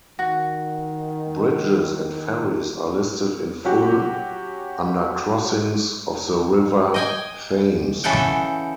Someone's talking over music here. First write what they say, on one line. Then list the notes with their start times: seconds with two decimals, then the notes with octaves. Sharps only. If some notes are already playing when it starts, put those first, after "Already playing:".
Bridges and ferries are listed in full under Crossings of the River Thames.
0.19 D#3 F#4
3.65 F#3 C#4 F#4 G4
6.94 D#5 G5 G#5
8.04 C#3 E3 A4 F#5 G5